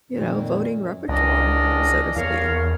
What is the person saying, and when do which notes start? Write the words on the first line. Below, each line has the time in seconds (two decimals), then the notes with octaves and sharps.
you know, voting repertoire, so to speak.
0.11 F2 A#2 D#3
0.73 F#2
1.09 C#2 E3 D4 A#4 D5 D#5
2.16 E2 A#4 C#5 F5